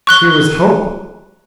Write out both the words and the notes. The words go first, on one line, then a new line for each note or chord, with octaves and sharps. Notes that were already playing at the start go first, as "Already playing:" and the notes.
Here was hope!
C#6 F#6 G7